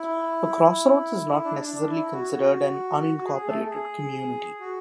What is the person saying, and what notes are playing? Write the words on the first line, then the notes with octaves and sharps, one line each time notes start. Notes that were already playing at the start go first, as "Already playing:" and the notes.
A crossroads is not necessarily considered an unincorporated "community".
Already playing: E4
D4
D4
D4
E4
F#4
F#4
F#4
G#4
G#4
A3 A4
G#4
F#4